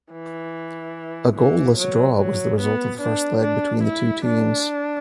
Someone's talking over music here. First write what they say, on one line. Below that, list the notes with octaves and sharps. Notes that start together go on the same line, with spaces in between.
A goalless draw was the result of the first leg between the two teams.
E3
E3
F#3
F#3
B3
D4
D4
E4
D4